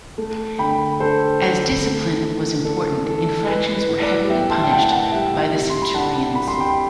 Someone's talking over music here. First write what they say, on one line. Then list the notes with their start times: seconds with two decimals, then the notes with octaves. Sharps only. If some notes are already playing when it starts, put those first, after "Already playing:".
As discipline was important, infractions were heavily punished by the centurions.
0.18 A3
0.59 D3 G5 B5
1.00 D4 A4 C5
1.41 D3
1.82 A3
2.24 E3
2.65 D4 A4
3.06 E3 A4
3.47 E3 B4
3.75 B4
3.89 A2
4.02 B4 D5
4.30 B3 E5 G5
4.50 A5 C6
4.64 G5
4.70 A2 F#5 A5
4.91 F#5 A5
5.12 G3 E5 G5
5.53 C3
5.70 C6
5.82 B5
5.94 D4 F#5 A5
6.35 C3 B5
6.48 C6
6.60 G5 B5